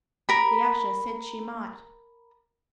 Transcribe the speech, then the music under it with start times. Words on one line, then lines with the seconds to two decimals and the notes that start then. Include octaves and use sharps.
The usher said she might.
0.29 A#4 B5